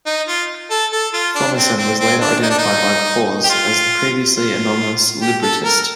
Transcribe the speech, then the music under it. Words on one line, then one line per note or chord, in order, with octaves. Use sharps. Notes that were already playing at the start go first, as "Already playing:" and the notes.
Thommessen was later identified by Paus as the previously anonymous librettist.
D#4
F4
A4
A4
F4
D4
C4
C4
C4
D4
D#4
D4
D#4
G4
F4
F4
G4
A4
A#4